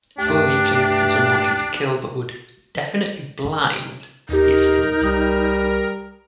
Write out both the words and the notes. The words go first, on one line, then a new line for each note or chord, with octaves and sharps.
Fourie claims it is unlikely to kill but would "definitely blind" the assailant.
D2 G2 A3 D4 G4
D#2 D#4 G4 A#4
C2 G3 D#6